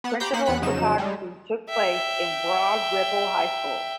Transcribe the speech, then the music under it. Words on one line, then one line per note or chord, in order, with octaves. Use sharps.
Principal photography took place in Broad Ripple High School.
B3 F#5
G4 C5 A#5 B5 D6 G6
A#3 D#4 C5 F#5 B6
E2 B3 F#5 B5 F#6
F2 C#3 F#3 D#4 E7
G3 G#3
E5 G5